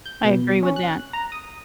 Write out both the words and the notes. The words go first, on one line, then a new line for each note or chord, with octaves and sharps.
I agree with that.
G6
B2
C#4
F#6
A#5
D#6